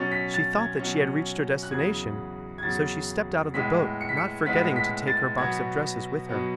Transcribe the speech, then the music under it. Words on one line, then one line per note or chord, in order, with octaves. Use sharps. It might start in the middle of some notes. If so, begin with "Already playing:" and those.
She thought that she had reached her destination, so she stepped out of the boat not forgetting to take her box of dresses with her.
Already playing: B2 F#3 C#4 A6
B6
A6
G#6
B2 F#3 C#4
F#6
E2 C#3 F#3 G#6
G#6
E2 C#3 F#3 A6
A2 G#3 B3 B6
C#7
B6
C#7
A2 G#3 B3 B6
B6
A6
B2 F#3 B3 G#6
B2 F#3 B3